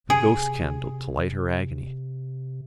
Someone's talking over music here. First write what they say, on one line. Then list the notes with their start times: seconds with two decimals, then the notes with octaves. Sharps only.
The ghostcandle to light her agony.
0.10 C3 G#4